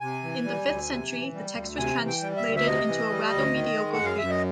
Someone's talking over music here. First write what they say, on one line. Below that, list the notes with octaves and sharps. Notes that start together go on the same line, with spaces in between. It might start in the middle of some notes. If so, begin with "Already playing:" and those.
In the fifth century, the text was translated into a rather mediocre Greek.
C3 G#5
E3
G3
D2
C3
E3
G3
D2
C3 G#5
E3
G5
G3
E5
D2
E5
C3 D#5
E3
G3
D2
D#3
G#3
F#5
F#2
F5
F#2 E5
D#5